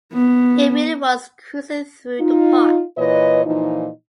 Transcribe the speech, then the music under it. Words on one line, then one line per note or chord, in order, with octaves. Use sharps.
It really was cruising through the park.
B3
D#4 F4
A#2 E3 B4 C#5 D#5
A#2 E3 F3 D#4